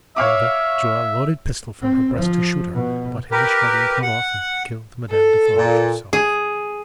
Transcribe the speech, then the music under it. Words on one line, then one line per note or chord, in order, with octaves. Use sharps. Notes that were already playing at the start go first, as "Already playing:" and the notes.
The other drew a loaded pistol from her breast to shoot her, but in the struggle it went off and killed Madame Defarge herself.
C#5 E5 F5 D6
C4
F3
B2
G4 A#4 B4
F#5
A4
A#2
G#4